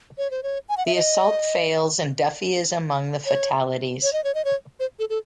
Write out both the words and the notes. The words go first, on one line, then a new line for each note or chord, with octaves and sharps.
The assault fails and Duffy is among the fatalities.
C#5
C5
C#5
G#5
F#5
E5
D#5
C#5
C#5
D#5
C#5
D#5
C#5
C5
A4
A4